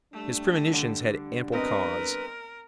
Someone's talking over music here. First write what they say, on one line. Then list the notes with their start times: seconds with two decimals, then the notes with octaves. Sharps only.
His premonitions had ample cause.
0.13 G3 A3 D4
0.73 D3
1.52 B3 C4 A#4 B4 D#5